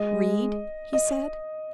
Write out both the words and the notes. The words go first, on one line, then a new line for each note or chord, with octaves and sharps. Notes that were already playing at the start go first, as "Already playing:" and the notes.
"Read?" he said.
Already playing: G#3 D#5
D#5